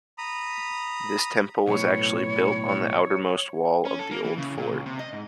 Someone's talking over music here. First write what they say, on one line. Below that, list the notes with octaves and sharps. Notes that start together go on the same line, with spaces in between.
This temple was actually built on the outermost wall of the old fort.
A#5 B5 D#6
B1 A2 C#5
C#4
A4
A#3
E3
C#3
A#2
C#2
C3
D#5
G#2